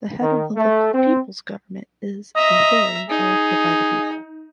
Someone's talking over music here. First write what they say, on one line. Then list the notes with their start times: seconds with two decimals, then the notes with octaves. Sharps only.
The head of the local People's Government, is, in theory, elected by the people.
0.22 D#3
0.56 A3
0.93 C4
2.36 D#5 E5 A#5
3.10 D#4 G#4